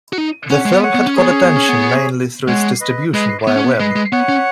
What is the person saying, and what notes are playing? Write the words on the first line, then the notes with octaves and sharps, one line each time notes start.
The film had caught attention mainly through its distribution via web.
F#4
D#4
C#4 C#5 F#5
G#3
B3
C#5 F#5
B3
C#4
B3 G#4 C#5
C#4
B3
C#4
B3
G#3 C#5 F#5
B4 D#5
G#3 B4 D#5
B3 C#5 F#5
C#4
B3
G#3 B4 D#5
G#3
B3 C#5 F#5
C#4